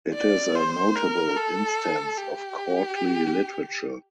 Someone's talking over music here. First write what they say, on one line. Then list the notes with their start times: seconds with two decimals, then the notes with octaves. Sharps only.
It is a notable instance of courtly literature.
0.14 D5
0.55 C5
0.96 A#4
1.36 A4
2.17 G4